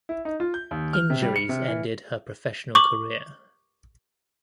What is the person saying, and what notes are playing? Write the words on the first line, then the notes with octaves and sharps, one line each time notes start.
Injuries ended her professional career.
E4
D#4
F4
G6
D#2
F6
C3
G3
C#7
C3
E3
C#6 D6 F#7